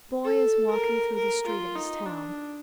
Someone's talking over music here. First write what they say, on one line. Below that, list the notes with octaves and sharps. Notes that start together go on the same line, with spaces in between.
The boy is walking through the street of his town.
A4
A#4
A#4
F4
D#4
D4